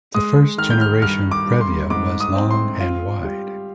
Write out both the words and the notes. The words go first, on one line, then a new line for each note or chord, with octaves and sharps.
The first generation Previa was long and wide.
G#3 D#6
D#3 F6
G6
F6
G2 F6
D6
G2
C6
G#2 D6
D#6
C4
C6
F4
G3